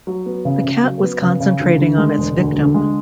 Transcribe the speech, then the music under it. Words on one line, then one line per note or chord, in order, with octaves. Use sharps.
The cat was concentrating on its victim.
F#3
B3
C#3
C#3
F#3
B3
C#3
C#3
D2
D3
G#3
E1
D2
D3
G#3